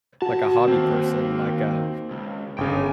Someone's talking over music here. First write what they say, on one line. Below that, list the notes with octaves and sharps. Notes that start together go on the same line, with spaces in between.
like, a hobby person, like, uh,
D2 F#4 A5
D#2 A#3 C4
C#2
G1 C#3 G5 G#5